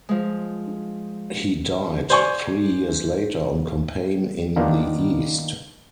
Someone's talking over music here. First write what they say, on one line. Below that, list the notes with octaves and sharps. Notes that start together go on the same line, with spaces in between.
He died three years later on campaign in the east.
F3 G#3
C5 D5 G#5 C#6
D#3 A#3 B3 D4 F4 G4